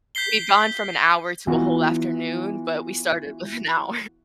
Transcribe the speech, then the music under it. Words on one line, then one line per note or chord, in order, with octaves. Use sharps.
we've gone from an hour to a whole afternoon, but, we started with an hour.
G6 B6 C7 G7
E3 B3 F4 F#4